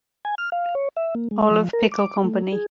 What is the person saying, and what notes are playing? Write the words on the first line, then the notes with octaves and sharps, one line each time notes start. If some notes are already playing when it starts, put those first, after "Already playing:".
Olive Pickle Company.
G#5
F6
F5
C#5
E5
A#3
G#3
F3
A#4
D6
A3
G#4